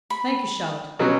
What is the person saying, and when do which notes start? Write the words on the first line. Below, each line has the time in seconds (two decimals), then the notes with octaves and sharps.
'Thank you, Charlotte.
0.10 B5
0.99 B2 F#3 C#4